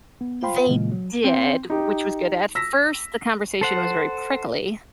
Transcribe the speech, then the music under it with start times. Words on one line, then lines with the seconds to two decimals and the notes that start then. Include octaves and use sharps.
They did, which was good. At first, the conversation was very prickly,
0.21 B3
0.42 F4 C5 F5 G5 B5 C6
0.68 A#2 C#3 E3 G#3 A#3
0.92 F#3
1.24 C4
1.70 D#4 G4
2.55 E6 A#6 B6
3.61 A4 C5 F#5